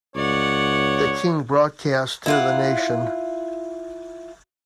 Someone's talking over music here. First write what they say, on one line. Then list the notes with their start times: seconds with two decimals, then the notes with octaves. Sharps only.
The King broadcast to the nation.
0.16 C#2 C#5 D5 F#5
2.26 E4 F4 F#5